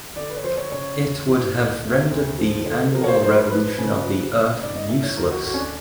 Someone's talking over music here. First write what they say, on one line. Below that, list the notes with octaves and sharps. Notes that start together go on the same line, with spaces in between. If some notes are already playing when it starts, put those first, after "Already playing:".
It would have rendered the annual revolution of the Earth useless.
D3 D5
B4
C#5
F3 C5
C#5
C#3 C#5
E2
E3
D2
C3
D2
F3
D3
F3 A#4
C#5
C5
F3 C5
B4
F3 B4
C#3
F3
C#3
G#2 D5
D#5
E3 E5
C#5
D2 A#4
F#4
D2 F#4
C#4
D4